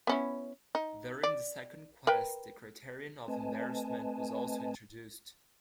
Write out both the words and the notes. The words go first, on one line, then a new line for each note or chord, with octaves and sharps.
During the second quest the criterion of embarrassment was also introduced.
B3 C#4 E4
D#4
D5
A#4 B4 G5
A3 C4 B4 D#5 G#5 A5